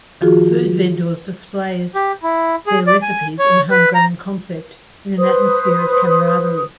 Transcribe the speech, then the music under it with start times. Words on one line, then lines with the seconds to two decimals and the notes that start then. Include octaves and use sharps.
Food vendors displays their recipes and homegrown concept in an atmosphere of camaraderie.
0.21 D#3 F3 F4 F#4 G#4
1.95 G4
2.23 E4
2.67 G#4
2.87 D5
3.02 G#5
3.39 C#5
3.71 B4
3.95 A#5
5.18 B4 C5 D#6